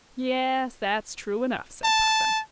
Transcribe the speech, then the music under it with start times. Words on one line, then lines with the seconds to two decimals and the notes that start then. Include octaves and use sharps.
"Yes, that's true enough," said Puffin.
1.84 A5